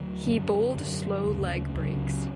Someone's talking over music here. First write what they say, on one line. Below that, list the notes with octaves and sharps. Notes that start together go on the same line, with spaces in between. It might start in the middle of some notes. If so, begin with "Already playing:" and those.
He bowled slow leg breaks.
Already playing: D2 D3 F#3
F#2 D3
F#2 D3
D2 C#3
C#2 C#3 F#3